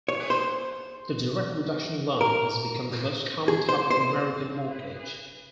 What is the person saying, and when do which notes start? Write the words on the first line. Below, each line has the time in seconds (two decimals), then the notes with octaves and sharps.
The direct reduction loan has become the most common type of American mortgage.
0.09 C#5
0.30 C5
2.21 A#4
3.48 G#4
3.69 C5
3.91 C5